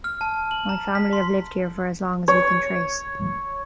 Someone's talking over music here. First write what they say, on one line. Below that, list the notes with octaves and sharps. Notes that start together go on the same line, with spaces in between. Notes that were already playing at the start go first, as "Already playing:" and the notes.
My family have lived here for as long as we can trace.
F6
A5
F#7
A#5
B6
C6
C#5